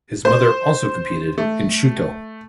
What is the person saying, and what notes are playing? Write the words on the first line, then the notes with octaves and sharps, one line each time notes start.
His mother also competed in Shooto.
C5
A3